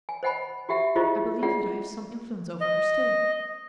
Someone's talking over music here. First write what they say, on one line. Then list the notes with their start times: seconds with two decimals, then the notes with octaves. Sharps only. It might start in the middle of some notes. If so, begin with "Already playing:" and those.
I believe that I have some influence over her still.
0.09 G#5
0.23 C5 D#5 F#5 G#5 B5
0.69 F#4 G4 E5 F#5
0.95 E4 F4 G4 G#4 C5 D#5
1.42 F4 G#4 D5 F#5
2.61 D#5